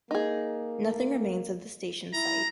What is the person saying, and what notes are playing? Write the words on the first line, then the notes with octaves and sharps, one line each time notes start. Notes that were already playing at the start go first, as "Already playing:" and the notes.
Nothing remains of the station site.
A#3 D#4 G#4
E4 A#5